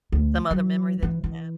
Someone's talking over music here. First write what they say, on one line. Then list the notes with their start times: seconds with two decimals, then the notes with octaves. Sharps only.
some other memory that you have?
0.12 D2
0.51 F#3
1.03 E3
1.24 E3